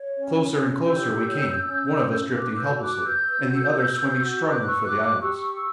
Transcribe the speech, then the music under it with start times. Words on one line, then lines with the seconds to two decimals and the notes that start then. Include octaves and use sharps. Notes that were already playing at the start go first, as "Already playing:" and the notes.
Closer and closer we came, one of us drifting helplessly, and the other swimming strongly for the islands.
Already playing: C#5
0.16 C#4
0.52 C#4
0.87 G4 E6 G6
1.24 C#5
1.60 C#4
1.96 C#4
2.32 B4 D6 F#6
2.57 E6 G6
2.69 F#4
2.80 D6 F#6
3.04 B4 E6 G6
3.41 F#4
3.77 B4
4.13 F#4
4.48 B4 D6 F#6
4.67 C#6 E6
4.85 F#4 D6 F#6
5.03 D6 F#6
5.21 G4 C#6 E6